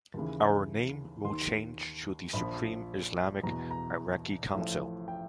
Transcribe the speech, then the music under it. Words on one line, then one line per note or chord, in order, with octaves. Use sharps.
Our name will change to the Supreme Islamic Iraqi Council.
D#2 C#3 E3
D#2 D#3 C6
A#1 A#2 F3 B5
E2 B2 A#5
A#5
A1 A2 F3
G5